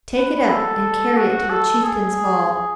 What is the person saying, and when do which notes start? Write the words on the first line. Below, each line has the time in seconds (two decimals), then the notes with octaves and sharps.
Take it up and carry it to the chieftain's hall.
0.17 B4
0.50 A4
1.17 F#4
1.50 A4
1.84 G#4